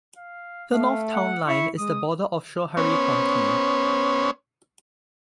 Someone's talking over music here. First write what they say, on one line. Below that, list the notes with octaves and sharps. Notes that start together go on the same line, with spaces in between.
The north town line is the border of Schoharie County.
F5
A3 F5
F#5
E4 C#6
G#3 D#6
B3 C#4 C5 C#5